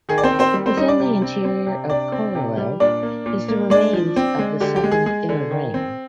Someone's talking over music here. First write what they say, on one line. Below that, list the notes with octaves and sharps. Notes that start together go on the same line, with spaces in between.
Within the interior of Korolev is the remains of a second, inner ring.
D#3 G#4
D5
C4 C5
D#3
C4 C5
G3
C4 C5
G3 D#4 D#5
D4 D5
C3
C4
C4
C3
C3 D4 D5
C4
C3
G3
A#2 D4 D5
A#3
A#2
A#3
G#3 D4 D5
F3
C4
G#3
D3 G4
G4
G#3
G#4
G#3 G#4
D3
D#3
C4